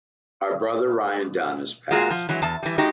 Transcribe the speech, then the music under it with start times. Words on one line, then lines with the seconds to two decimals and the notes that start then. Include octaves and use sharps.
Our brother Ryan Dunn has passed.
1.91 G#3 A#3 F4 F#4 G#4
2.10 F3
2.29 E3 F#3 G#3
2.42 E2 A5
2.63 E3 G3
2.78 G#3 D#4 F#4 G4